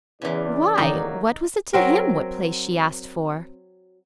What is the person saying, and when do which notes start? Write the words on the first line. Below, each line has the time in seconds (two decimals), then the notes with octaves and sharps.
Why, what was it to him what place she asked for?
0.22 E2 C#3 E3 D5
0.78 A2 D#3 E3 F#3 A#3 D#4 G5
1.73 F#3 C4 A#4